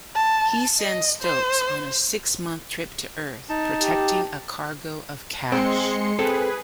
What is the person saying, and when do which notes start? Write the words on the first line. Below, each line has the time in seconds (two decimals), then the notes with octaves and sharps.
He sends Stokes on a six-month trip to Earth, protecting a cargo of cash.
0.15 A5
0.81 D#5
1.22 C5
3.49 D#4 A5
3.81 G4
5.52 G#3 C4 C6 C#7
6.19 C4 G#4 A4 B4